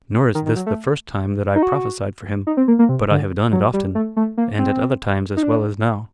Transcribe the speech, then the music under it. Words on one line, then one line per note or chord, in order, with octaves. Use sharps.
Nor is this the first time that I prophesied for him, but I have done it often, and at other times as well as now.
D#3
D#3
F#3
A3
D#4
F#4
D#4
C4
A#3
A#3
C3
D3
F#3
G3
A3
A3
A#3
C4
D#4
D4